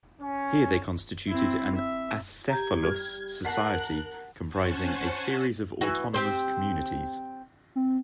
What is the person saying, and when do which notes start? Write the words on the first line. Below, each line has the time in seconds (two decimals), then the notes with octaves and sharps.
Here they constituted an acephalous society comprising a series of autonomous communities.
0.21 C#4
1.29 C4 E4
1.76 E5
2.49 G4 A#5 G#6
2.83 G3 F6
3.45 A#4 F#5 A5 F#6 B6 C7
4.47 C#4 C5 F#5 G#5 A5 C#6
5.81 E3 F#4
6.14 C4 G4 C5
7.76 C4